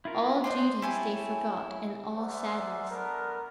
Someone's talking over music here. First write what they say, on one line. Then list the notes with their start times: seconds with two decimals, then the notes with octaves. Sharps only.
All duties they forgot, and all sadness.
0.05 E4 F4 A#4
0.44 D4 C5 D#5 C6
0.82 E4 G4 C#5 G#5 A5
2.14 G#4 A#4 C5 D5 E5 F#5
2.90 A3 B3 D4 A#4